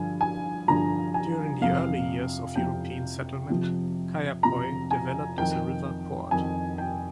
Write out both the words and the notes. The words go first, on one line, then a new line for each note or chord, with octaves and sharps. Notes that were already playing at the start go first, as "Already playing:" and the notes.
During the early years of European settlement, Kaiapoi developed as a river port.
Already playing: G2 D3 F3 G#5
G#5
G2 D3 F3 A#5
G#5
F2 C3 F3 F5
F2 C3 F3 G5
F2 C3 F3
F2 C3 F3 A#5
G#5
F2 D#3 G5
F2 D#3 G#5
G5